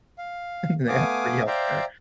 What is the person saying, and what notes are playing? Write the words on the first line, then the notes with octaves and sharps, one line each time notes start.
They have free health care.
F5
A3 B3 F5 G#5 D6 D#6
C5 D5 E5 F5 G5 A#5